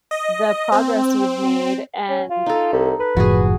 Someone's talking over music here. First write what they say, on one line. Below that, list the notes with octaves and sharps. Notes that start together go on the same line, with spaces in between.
the progress you've made and
D#5
C4
C#4
F4
D#4 A4
C2
B4
F#1 A2 F3 F#4 G#4